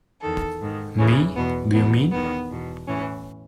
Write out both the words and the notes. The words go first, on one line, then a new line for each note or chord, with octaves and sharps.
Me, do you mean?
E2 D#3 A4
G#2 D#3
E2 C#3 E3 C#4
E2 B2 B3
E2 B2 B3
E2 D#3 B3
E2 B2
A2 E3 C#4